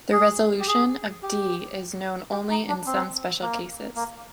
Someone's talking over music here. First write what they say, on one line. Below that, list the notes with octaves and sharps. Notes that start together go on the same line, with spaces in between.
The resolution of "D" is known only in some special cases.
G#4
G4
G#4
G4
G4
D#4
D4
C4
A#3
A#3